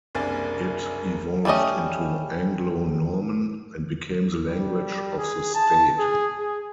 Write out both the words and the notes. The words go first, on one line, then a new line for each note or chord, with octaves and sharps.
It evolved into Anglo-Norman and became the language of the state.
F#1 C2 A#3 D4 G#5 A6
F#3 G3 A3 C#4 D#5
G3
G#4
A5
G#4
G#4